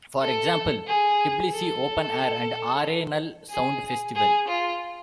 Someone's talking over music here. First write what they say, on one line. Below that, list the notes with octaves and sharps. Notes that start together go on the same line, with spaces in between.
For example, Tbilisi Open Air and Arenal Sound Festival.
A4
G#4
A4
G#4
G#4
F4